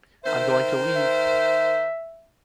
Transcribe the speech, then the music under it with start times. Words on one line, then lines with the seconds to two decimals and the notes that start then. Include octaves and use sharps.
I’m going to leave! ...
0.25 D#3 A#4 C5 E5
0.95 E5